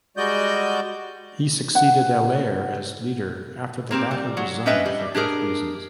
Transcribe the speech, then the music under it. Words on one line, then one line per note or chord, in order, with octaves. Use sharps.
He succeeded Allaire as leader after the latter resigned for health reasons.
G3 G#3 F#4 D5 D#5 G6
F#5
A#3 C4 G4
G3
F#3
C#4 D4 B4 D#5 E5 G5
G3
D4 G4 G#4 A#4